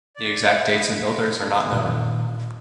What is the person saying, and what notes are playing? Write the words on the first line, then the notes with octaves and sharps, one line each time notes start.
The exact dates and builders are not known.
D5
E4 C5 E5
E4 D#5
A#2 D#3